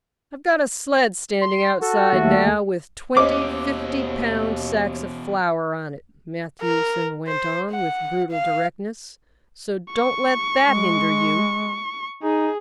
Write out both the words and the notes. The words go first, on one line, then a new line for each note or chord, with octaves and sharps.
"I've got a sled standing outside now, with twenty fiftypound sacks of flour on it," Matthewson went on with brutal directness; "so don't let that hinder you."
C6
F#4 A4
D#2 A3
D#2 B2 E3 C#4 C5 D#5 D6
A#4
C5
F#5
F5
C#6
G#3
D#4 G#4